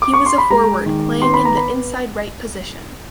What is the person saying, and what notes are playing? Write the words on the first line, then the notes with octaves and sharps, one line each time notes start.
He was a forward, playing in the inside right position.
D6
C#6
C6
B5
G#3 A#5
D#3
B3 C6
B5
A#5
B5